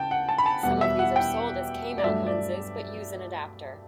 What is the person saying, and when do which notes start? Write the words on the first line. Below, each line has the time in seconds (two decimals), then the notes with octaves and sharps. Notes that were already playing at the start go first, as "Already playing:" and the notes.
Some of these are sold as K-mount lenses but use an adapter.
Already playing: C#3 G5 A5
0.11 F#5
0.29 A5
0.38 B5
0.46 A5
0.63 E2 B2 G3 F#5
0.81 E5
0.99 F#5
1.16 G5
1.98 D5
2.04 G2 F#3 A3 E5
2.27 D5